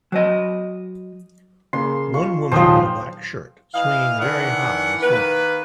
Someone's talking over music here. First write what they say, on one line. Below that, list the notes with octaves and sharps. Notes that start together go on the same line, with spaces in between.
One woman in a black shirt swinging very high on a swing.
F#3 C5 D#5
C#3 A#3 C6
F4 C#6
D#1 F3 F#3 C5 G5 A5 D#6
E3 E4 D#5 F5
D#3 E3 D4 E4 F#5
D#3 A#3 B4